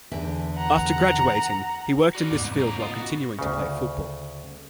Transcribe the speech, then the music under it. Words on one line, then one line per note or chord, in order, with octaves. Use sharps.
After graduating, he worked in this field while continuing to play football.
E2 D3 E5
F#5 A#5
F#4 D5
A1 E2 G#2
C2
C#3 A#4
B3 F4 D#5
F#4
D2 C#3